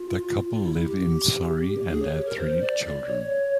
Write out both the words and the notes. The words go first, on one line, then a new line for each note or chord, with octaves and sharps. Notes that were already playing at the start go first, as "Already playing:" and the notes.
The couple live in Surrey and have three children.
Already playing: F4
F4
E4
G4
G#4
C#5
G4
A#4
C5
D5
D5
C#5